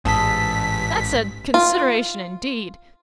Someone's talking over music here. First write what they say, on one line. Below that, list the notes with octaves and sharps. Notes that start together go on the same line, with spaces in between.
That's a consideration, indeed.
A1 G#2 G#4 A4 A5 B6
F4